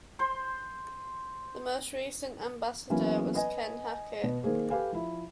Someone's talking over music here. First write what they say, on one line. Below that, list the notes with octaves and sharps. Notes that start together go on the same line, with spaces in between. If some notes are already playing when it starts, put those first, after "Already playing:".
The most recent Ambassador was Ken Hackett.
C5 C6
E3 F#3 A#3 B3 C#4
B4 D#5 G#5
B2
D#3 A#3 G#4 C5
G4 A4 B4 F5 G#5
F3 E4